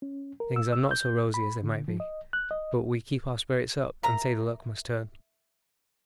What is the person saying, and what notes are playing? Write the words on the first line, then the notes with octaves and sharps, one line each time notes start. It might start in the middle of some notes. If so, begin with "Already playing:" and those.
Things are not so rosy as they might be, but we keep our spirits up and say the luck must turn.
C#4
A#4
E6
E6
G6
B5
D3
F3
D#5
F#6
D#5
A#4 E5 A#5